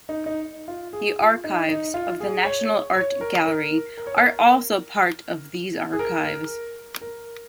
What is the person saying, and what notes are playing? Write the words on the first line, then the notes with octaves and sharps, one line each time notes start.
The archives of the National Art Gallery are also part of these archives.
D#4
D#4
F4
G#4
F4
D#4
D#4
F4
G#4
C#5
C#5
A#4
A#4
A#4
C#5
A#4
G#4
A#4
A#4
A#4